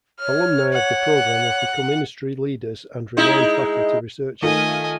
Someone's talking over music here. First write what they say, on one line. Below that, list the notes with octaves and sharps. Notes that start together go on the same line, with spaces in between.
Alumni of the program have become industry leaders and renowned faculty researchers.
C#5 F6
F#5
G#3 D#4 E4
D#3 A3 F4 D#5 G#5